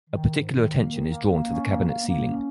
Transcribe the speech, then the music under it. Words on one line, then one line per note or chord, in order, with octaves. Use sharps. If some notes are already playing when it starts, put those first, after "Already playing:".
A particular attention is drawn to the cabinet ceiling.
D#3
G#2
D#3
A#3
D#3
A#3
A#3
C#4
A#3
A#3
A#3
C#4